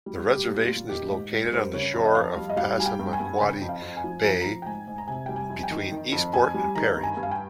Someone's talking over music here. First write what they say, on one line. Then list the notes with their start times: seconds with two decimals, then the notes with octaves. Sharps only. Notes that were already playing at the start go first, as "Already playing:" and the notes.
The reservation is located on the shore of Passamaquoddy Bay between Eastport and Perry.
0.06 G3
0.27 G3
0.33 G4
0.48 A#2
0.62 F4
0.68 A#2
0.89 D#3 G4
1.10 G#2
1.32 G#2
1.46 A#4
1.52 G3 C5
1.61 A#4
1.74 C#3 C#5
1.94 F2
2.05 D#5
2.15 F2 F5
2.36 G3
2.50 D#5
2.57 G3 F5
2.78 G3 G#5
2.86 G5
3.00 G2
3.13 G#5
3.20 G2
3.41 C#3 G5
3.62 F2
3.69 F5
3.82 F2
3.97 G#5
4.04 F3
4.24 F3 A#5
4.42 F3 A#5
4.62 G5
4.66 G#2 G#5
4.87 G#2
4.98 A#5
5.08 C3 G#5
5.26 G3 G5
5.36 G#5
5.50 F2
5.63 G5
5.71 D#3
5.92 D#3
6.12 F2
6.33 F2 G#5
6.54 G3
6.75 D#3 A#5
6.97 G2
7.03 G#5
7.17 G2
7.23 F5
7.31 G5